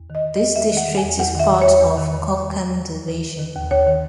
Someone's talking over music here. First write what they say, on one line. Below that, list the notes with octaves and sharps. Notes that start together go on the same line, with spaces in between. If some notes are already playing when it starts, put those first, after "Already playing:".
This district is part of Konkan division.
Already playing: E2
D#3 D#5
D#3
D#5
E2
E2 E5
D#3 F#5
D#3
G#5
E2
E2 F#5
D#3 E5
D#3
C#5
E2
E2
D#3
D#3
E2
D#2
D#3
D#3
D#2
D#2 B4
D#3
D#3
D#2
D#2 C#5
D#3